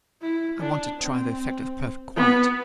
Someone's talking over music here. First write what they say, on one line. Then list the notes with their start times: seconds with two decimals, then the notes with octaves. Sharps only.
I want to try the effect of perfect quiet.
0.22 E4
0.61 D4
0.99 C4
2.17 B3